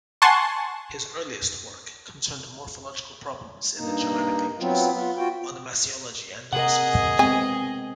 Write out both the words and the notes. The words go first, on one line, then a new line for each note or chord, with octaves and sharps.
His earliest work concerned morphological problems in the Germanic languages, Onomasiology and Norse mythology.
F#5 G#5 A5 C6 C#6
G2 A#3 D#4
F#3 B3 C4 F4
B3 F4
F4 F#4 G5
C3 G#4 A#4 D#5 F#5
G#3 B3 C4 G#5